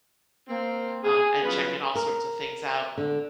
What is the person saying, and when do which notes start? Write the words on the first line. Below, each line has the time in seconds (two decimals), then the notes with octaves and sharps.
um, and checking all sorts of things out.
0.48 A#3 C4
1.04 G#4
1.42 C#3 F#3 G3 B3 F4 B4
1.95 A#4
2.97 D3